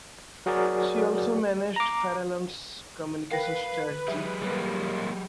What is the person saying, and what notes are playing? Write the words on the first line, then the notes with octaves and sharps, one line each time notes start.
She also managed Farallon's communication strategy.
F#3 F#4 G#4 A#4 D5
A#5 D6
A#4 B4 F5 G5 A#6
F#3 G4 G#4 E5
G3 A#3